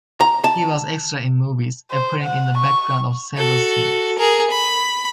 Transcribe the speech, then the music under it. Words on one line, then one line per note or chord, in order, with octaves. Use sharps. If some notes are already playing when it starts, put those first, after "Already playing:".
He was extra in movies, appearing in the background of several scenes.
A#5
A5
C5
F#5
C#6
F#4 A4
G#4 A#4
B5